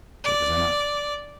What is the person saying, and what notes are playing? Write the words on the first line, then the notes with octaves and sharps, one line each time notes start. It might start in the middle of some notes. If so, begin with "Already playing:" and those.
It was enough.
D5